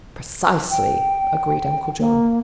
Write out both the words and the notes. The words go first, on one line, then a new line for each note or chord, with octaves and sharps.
"Precisely," agreed Uncle John.
G5
A#3